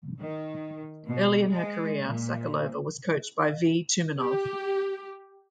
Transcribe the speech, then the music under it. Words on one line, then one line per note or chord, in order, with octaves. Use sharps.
Early in her career, Sokolova was coached by V. Tumanov.
D#3
B2
G#3
A#2
G4